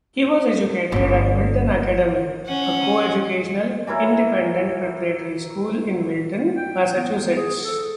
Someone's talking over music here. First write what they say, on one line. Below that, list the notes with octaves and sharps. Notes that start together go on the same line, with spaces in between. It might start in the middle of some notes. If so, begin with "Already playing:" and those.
He was educated at Milton Academy, a coeducational, independent preparatory school in Milton, Massachusetts.
G1 C#4
C#4 F#5
E3 F#3 E4 A#4
G5
B3
G#4
A4